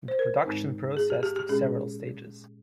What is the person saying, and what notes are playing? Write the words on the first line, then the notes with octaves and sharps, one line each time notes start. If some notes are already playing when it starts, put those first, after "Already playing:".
The production process took several stages.
C5
A#4
G#2 D#3 G#3 C4 D#4
G#4
G4
G4
G4
A#2 G#3 C#4 G#4